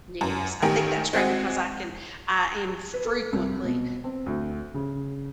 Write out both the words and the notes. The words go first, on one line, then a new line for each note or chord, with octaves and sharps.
Yes, I think that's great because I can I am fr frequently,
F#2
A1 D#3 G4 A#4 G#5
G#3 C4 F#4 G#4
B4
A4
C2
B2
C4
D2
C#3